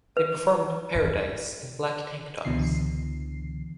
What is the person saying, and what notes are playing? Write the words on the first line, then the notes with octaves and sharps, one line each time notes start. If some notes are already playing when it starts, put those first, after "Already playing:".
They performed "Paradise" in black tank tops.
B4
C#2 B2 D3 E3 C7